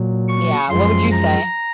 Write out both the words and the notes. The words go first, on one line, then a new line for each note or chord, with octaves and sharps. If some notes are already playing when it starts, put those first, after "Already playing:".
Yeah, what would you say?
Already playing: A#2 F#3
C#6
F#2 F3 G#3 C6
A#5